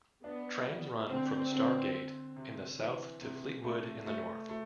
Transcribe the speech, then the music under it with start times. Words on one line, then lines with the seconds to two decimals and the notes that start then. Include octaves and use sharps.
Trams run from Starr Gate in the south to Fleetwood in the north.
0.24 B3 D4
0.66 G3
1.09 D3 C4
1.51 D3 C4
1.94 C4
2.36 C3
2.79 E3
3.21 C3
3.64 A3
4.06 A3
4.49 A3